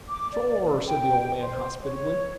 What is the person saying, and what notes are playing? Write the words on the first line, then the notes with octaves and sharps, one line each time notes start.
"Shore!" said the old man hospitably.
D6
D5
G5
C5
C#5